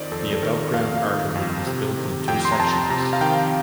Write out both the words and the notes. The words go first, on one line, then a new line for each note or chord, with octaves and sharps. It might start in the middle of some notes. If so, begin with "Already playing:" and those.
The above-ground Artery was built in two sections.
Already playing: F2 D#3 C5 D5 D#5
F2 A4
A4
D#3 A#4
F2 F5
D#3
F2
C3
D#3
F2 G5
C6
A#5
F2 A5
C3 A#5
F5
D#3 G5